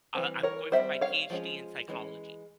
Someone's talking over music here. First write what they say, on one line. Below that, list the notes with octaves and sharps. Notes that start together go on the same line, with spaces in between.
Uh, I'm going for my PhD in psychology.
E3 G3 C4
A#4 C#5
G3 C4 C5 E5
C#5 F5
F3 G#3 C#4
E3 G#3 C#4